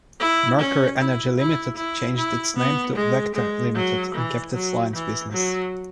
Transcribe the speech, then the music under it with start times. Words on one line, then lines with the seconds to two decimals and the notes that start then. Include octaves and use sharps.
Mercury Energy Limited changed its name to Vector Limited and kept its lines business.
0.20 E4
0.59 C#4
0.99 E4
1.38 E4
1.77 E4
2.17 E4
2.56 B3
2.96 G#3
3.35 G#3
3.75 F#3
4.15 E3
4.54 F#3
4.94 E3
5.32 F#3